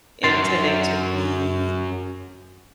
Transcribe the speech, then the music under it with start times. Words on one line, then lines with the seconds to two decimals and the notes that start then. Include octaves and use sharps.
intending to be
0.24 F#2 C6 A6 C7